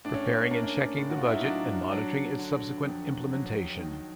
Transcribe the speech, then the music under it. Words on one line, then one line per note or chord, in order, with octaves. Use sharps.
Preparing and checking the budget and monitoring its subsequent implementation.
A2 D4
C#4
C#4
A#3 D4
C#4
D4
A2 D4
F#4
F4
E4
D#4
F#3 D4
F#3 D4
D3
F2
F#3
D#3